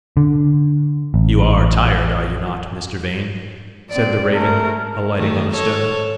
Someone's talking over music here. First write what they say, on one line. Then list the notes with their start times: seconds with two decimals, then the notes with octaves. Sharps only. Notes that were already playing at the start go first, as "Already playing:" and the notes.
"You are tired, are you not, Mr. Vane?" said the raven, alighting on a stone.
0.17 D3
1.14 A1
3.91 C4 D5
4.34 A3 A#4
5.15 D#3 A3
5.54 A4 C#5